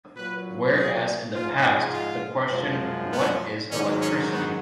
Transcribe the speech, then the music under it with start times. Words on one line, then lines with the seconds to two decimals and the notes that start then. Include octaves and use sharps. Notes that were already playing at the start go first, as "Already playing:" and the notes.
Whereas in the past the question What is electricity?
0.16 A#2 F#3 B4
0.74 G#4
1.33 G#2 F3 G#3 F4
1.92 F4
2.51 F#2 F3 G#3
3.10 B3
3.69 G#2 D#3 F#3 C#4
3.99 C#4
4.28 B3